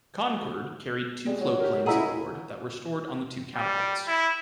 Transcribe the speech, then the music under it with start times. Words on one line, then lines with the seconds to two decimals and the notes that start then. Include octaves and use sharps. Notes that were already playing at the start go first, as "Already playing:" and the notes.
"Concord" carried two floatplanes aboard that were stored on the two catapults.
1.26 G3 G#3
1.41 F#3
1.60 G4 A#4
1.86 F#2 E4 F4 G#4 D#5 F#5 A#5 E6
3.55 G3
4.07 E4